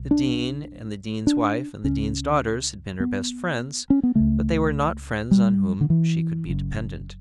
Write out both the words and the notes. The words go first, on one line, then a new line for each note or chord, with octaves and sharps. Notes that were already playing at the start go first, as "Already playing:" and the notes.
The dean and the dean's wife and the dean's daughters had been her best friends, but they were not friends on whom she could be dependent.
Already playing: B1
D4
D4
C#2 C#3 C#4
B3
C#4
B3
C#2 C#3 A3
G3
D3
E3
F#1 F#2 C#3